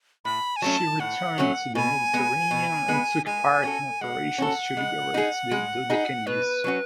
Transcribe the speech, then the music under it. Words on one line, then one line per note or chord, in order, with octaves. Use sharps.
She returned to the Mediterranean and took part in operations to liberate the Dodecanese.
A2 B5
G#5
F#3 A3 C#4 A5
A2 F#5
F#3 A3 C#4
B2 G#5
G#3 B3
B2
G#3 B3
G#3 G#5
C#4 F#4 A4
G#3 F#5
C#4 F#4 A4
G#3
D#4 G#4
G#3
D#4 G#4
B2 B4
F#3 C#4 F#4